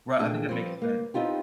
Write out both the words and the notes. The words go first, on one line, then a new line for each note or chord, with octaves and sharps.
right, I think that makes sense.
A#2 A3 D4 G#4 G5
F3 G3 C4 B4
A#3
B3 C4 D#4 F4 G4